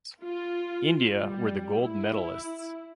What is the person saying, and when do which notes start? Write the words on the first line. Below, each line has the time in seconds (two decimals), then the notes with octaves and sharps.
India were the Gold medalists.
0.24 F4
1.19 G3
1.83 E4